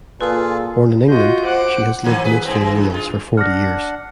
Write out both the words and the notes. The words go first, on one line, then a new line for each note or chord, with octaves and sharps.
Born in England, she has lived mostly in Wales for forty years.
A#2 F4 G#4 A4 B4
F4 F#4 D#5 G6
C5 F#5 D6
D#3 F3 A#3
G#4 B4
G2 C4
E3
F#2
G#3 F4
D4 F#5 F6 A#6